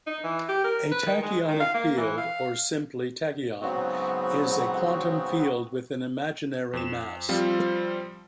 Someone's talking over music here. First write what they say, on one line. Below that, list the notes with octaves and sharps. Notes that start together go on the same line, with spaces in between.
A tachyonic field, or simply tachyon, is a quantum field with an imaginary mass.
D#4
E3
G4
A#4
B4
D#3
G#3
D#3
F5
A#3
E3
F5
G#2 C#3 F#3 B3 C4 F#4
F2 E7
F3 G3 C4 F4